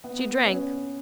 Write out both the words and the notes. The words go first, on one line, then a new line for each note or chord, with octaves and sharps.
She drank.
B3
B3
C#4